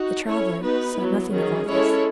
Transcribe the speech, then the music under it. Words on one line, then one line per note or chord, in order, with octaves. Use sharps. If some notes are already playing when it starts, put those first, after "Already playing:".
The traveller saw nothing of all this.
Already playing: D#4 F#4
C#4 E4 A4 C#5
B3 D#4 F#4 B4
F#3 B3 E4
D#3 F#3 C#4 G#4
G#3 C#4 E4 A4 C#5